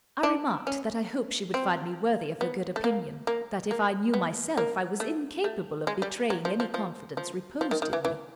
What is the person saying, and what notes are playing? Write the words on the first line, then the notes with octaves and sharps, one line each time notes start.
I remarked that I hoped she would find me worthy of her good opinion; that if I knew myself, I was incapable of betraying any confidence reposed in me.
D4
C#4
C4
B3
A3
A#3
A#3
A#3
B3
A#3
A3
A3
G#3
G3
F#3
F3
F3
F3
F3
F3
D#3
D#3
E3
E3